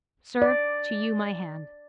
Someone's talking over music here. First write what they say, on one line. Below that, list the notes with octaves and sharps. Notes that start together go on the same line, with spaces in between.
Sir, to you my hand.
D5